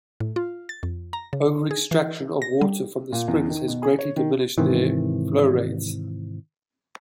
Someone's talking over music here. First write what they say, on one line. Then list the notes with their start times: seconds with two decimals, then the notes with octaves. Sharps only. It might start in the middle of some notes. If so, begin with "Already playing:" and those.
Over-extraction of water from the springs has greatly diminished their flow rates.
0.20 A2
0.36 F4
0.69 A6
0.83 F2
1.13 A#5
1.33 C#3
1.71 G#4
1.91 E3
2.42 A#6
2.61 G3
3.12 A#2
3.28 E2
3.49 D#3
3.68 B2
3.83 G#4
3.99 C#5
4.16 D#3
4.58 G#2 C3 D#3 E3